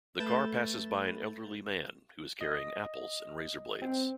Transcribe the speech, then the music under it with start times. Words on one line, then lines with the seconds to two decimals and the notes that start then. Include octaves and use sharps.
The car passes by an elderly man who is carrying apples and razor blades.
0.19 A3 B4 G6 A6 E7
2.41 D#5
3.82 C4